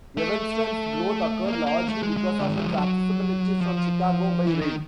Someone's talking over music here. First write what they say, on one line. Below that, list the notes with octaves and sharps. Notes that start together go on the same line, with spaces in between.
Evanston's growth occurred largely because of its accessibility from Chicago by rail.
A3
A#3
A#3
A3
G#3
G#3
D3
D#3
E3
F3
F#3
F3
E3
D#3